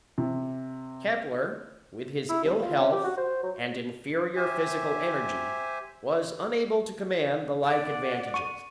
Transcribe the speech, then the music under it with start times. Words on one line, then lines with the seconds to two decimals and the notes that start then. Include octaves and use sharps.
Kepler, with his ill-health and inferior physical energy, was unable to command the like advantages.
0.18 C3
2.29 E4
2.44 C2
2.62 F4
2.79 C#4
2.92 G4
3.04 F#4
3.18 C5
3.43 F#3
4.36 G4 C5 E5 G#5
7.64 D5 F#5
8.34 C#6 D#7